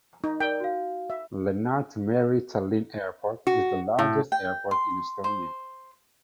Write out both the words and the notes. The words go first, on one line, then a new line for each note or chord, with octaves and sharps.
Lennart Meri Tallinn Airport is the largest airport in Estonia.
D#4
A#4 D5 G5
F#4 F5
E5
F#4
A2
G5
C6
C5